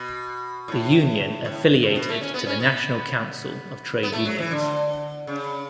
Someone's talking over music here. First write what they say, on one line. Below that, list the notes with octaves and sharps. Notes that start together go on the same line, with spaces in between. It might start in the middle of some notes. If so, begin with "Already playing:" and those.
The union affiliated to the National Council of Trade Unions.
Already playing: B2
A2
A2
A2
B2
A3
C#4
B3
C#4
B3
B3
A3
F#3
E3
D3
C#3